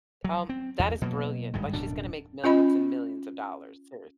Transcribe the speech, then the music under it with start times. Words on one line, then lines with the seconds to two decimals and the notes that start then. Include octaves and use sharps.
Um, that is brilliant. Like, she's gonna make millions and millions of dollars, seriously.
0.24 F#3
0.49 C4
0.79 E2
1.02 B2 F#3 A#3
1.54 G#1 G2 D#3 G#3
1.73 D1 F#2 B2 D4
2.44 C#4 F4 D#5 B5